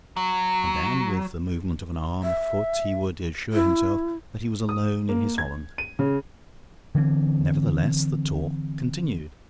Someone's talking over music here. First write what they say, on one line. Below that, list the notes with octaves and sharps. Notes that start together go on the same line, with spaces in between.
And then, with the movement of an arm, a foot, he would assure himself that he was alone in his holland. Nevertheless, the talk continued.
F#3
E5
E4
D#6
A#3
G#6
D#7
C#3
D3 E3 A#3 C4